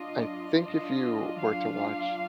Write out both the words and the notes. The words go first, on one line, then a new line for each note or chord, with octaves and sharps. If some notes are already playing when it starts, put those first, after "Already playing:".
I think if you were to watch,
Already playing: F#3 D4 F4 D#5
D#5
F5